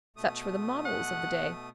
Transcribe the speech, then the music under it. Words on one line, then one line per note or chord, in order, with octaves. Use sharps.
Such were the models of the day.
B2 A3 D#6
F#5